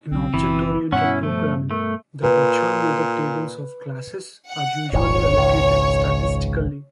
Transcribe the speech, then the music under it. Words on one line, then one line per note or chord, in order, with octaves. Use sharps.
In object-oriented programming, the virtual method tables of classes are usually allocated statically.
B1 F3 F#3 C4
F#1 B2 E3 B3
G2 B2 C#4 E4 F#5
F3 A3
A3 A#4
A#2 B4
F#5
D#1 G#1 C#5
G#1 C#2